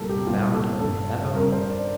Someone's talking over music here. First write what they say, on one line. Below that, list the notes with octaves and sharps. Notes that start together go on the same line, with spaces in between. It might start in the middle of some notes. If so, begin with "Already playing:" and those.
He found her at home.
Already playing: C2 A#2 G3 A4 A#4
G4
C2 A#2 G3 F4
A4
G1 G2 F3 A4
G1 G2 F3 A#4
C5
D5